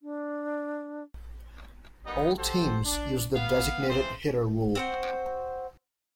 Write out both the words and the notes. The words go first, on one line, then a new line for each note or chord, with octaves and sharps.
All teams use the designated hitter rule.
D4
F#2 D#3 G3 B3 D#4 D#5
F#4 G4 A4 C5
D4
B3 F5
C#3 E3 C4 C5
C4 F#4 C5